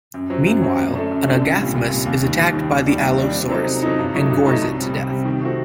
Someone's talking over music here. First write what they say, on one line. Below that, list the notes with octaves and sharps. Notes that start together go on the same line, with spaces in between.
Meanwhile, an "Agathaumas" is attacked by the "Allosaurus", and gores it to death.
F#2
F#3 C4
F#2
F#3 C4
F#2
D3 A3 D4 A4
F#2
D3 A3 D4 A4
C2
A#2 G3
C2
A#2 G3
D#2
D#3 G3
D#2
D#3 G3
D#2
D#3 G3 D4
D#2
D#3 G3 D4
C3
F#3 C4 D#4 A4
C3
F#3 C4 D#4 A4
G2
F#3 A3 D#4
G2
F#3 A3 D#4
C2
C3 G3
C2
C3 G3
D#3
A3 C4 F#4